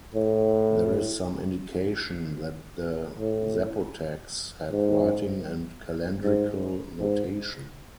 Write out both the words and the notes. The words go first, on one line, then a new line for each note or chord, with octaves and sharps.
There is some indication that the Zapotecs had writing and calendrical notation.
A2
A2
G#2
G#2
G#2